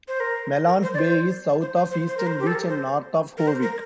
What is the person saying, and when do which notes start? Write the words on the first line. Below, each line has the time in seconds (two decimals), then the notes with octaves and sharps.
Mellons Bay is south of Eastern Beach and north of Howick.
0.08 C5
0.20 A#4
0.67 A#4
0.83 C5
0.94 D5
0.99 C5
1.61 C5
1.76 C5
1.91 C5
2.07 C5
2.17 A#4
2.27 C5
2.40 G4
2.47 A4
2.55 A#4
2.69 C5
3.38 A#4
3.48 C5
3.63 A#4